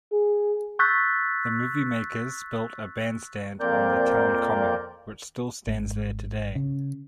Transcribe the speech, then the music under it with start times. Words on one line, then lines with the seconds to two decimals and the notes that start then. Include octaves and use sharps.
The moviemakers built a bandstand on the town common, which still stands there today.
0.13 G#4
0.79 C#6 E6 F#6 G6 A6 B6
3.60 F2 A#2 C4 A#4 D5 G6
5.67 G#1
6.55 C#3